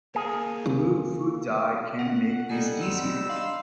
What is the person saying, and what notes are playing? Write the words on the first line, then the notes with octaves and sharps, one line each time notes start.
Blue food dye can make this easier.
A#3 G#4
C#4 F#5
G3 D#4 A4 D#5 G#5
G#3 C4 B5 E6
D4 D#5 F5 B5 C6 E6